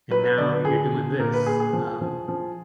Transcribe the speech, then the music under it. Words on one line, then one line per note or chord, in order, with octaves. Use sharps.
and now you're doing this." Um,
F#3 B4
B4
D3 D5
B4
D3 G#4
D3
A#2 A#4
B4
A#2 G#4
G#4
F3
F3
F3